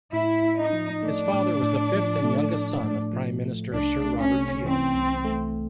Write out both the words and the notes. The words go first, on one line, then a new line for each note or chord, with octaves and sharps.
His father was the fifth and youngest son of Prime Minister Sir Robert Peel.
A2 E4
A2
D#4
F3
A3 D4
A2
A2
F3
A3
A2
A2
F3
A3
C2 D4
A3
C#4
C3
E3 C4
C2
A3